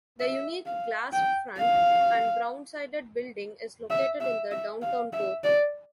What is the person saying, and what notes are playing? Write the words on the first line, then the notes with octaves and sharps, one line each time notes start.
The unique glass front and brown sided building is located in the downtown core.
E5
F5
G5
F5
E5
E5
E5
F5
E5
D5